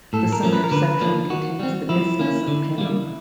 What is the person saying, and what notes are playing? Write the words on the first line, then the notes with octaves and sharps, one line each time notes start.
The center section contains the Isthmus of Panama.
A2 A4
A#4
F3 A3 C#4
B4
A#4
D3 B4
F3 A#3 D4
D#3 F#4
G3 C4
F3 E4
A#3 C#4
D3
G3 A#3